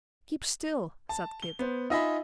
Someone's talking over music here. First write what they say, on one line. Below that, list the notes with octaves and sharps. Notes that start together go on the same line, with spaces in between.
"Keep still!" said Kit.
A5
G7
B3 C5
D#4 F4 D#5 E5 G#5 B5